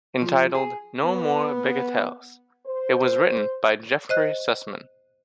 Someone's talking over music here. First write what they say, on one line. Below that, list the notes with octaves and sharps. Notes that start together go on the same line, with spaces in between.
Entitled "No Mere Bagatelles", it was written by Jeffrey Sussman.
F3
G#4
B3
C5
C5 D#5 F#6